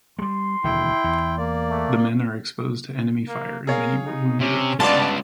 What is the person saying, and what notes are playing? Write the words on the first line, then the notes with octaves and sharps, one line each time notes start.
The men are exposed to enemy fire and many were wounded or killed.
G3 G#3 C6
E1 D#2 D3 E4 G5
E2
A#3 D5
A3
A#3
G#4 A#4 C#5 F5
D#4
C3 C#4
C#2 G2 B3 D4 F4 D5 A5